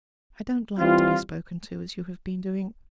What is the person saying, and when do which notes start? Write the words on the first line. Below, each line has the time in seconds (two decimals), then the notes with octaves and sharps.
I don't like to be spoken to as you have been doing.
0.78 E3 G3 C4 F4